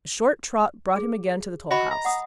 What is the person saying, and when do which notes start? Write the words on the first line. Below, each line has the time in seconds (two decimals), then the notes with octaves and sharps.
A short trot brought him again to the toll-house.
0.96 G#4
1.71 F#4 D#5 B5
1.91 A#5
2.05 F#5 D#6